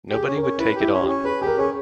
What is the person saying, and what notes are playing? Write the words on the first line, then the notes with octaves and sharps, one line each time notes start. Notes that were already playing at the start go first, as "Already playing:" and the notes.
Nobody would take it on.
G4 G#4
C#4
A#4
C#4
E4 B4
E4 G4
C#4
G4
C#4
G#4 B4
G4 G#4
A#4
C#4 G#4